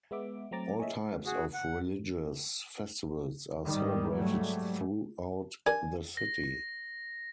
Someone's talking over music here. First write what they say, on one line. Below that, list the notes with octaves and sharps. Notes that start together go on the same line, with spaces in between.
All types of religious festivals are celebrated throughout the city.
G#3 B3 E5 D6
F#3 A3 C4 A#5 D6 A6
G#4 C#5 D#5 E5
F#4 G#4
F#5
G#2 D#3 G3
G#2 F#3 G3 A3
D4 G4 A#4 G#5
A#6